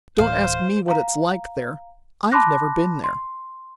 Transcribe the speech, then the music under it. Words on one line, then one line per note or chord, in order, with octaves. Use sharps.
Don't ask me what it's like there. I've never been there.
D1 A2 E3 C5 F5
F5 A#5
A5 B5 C6 D6 F#6 A#6
C6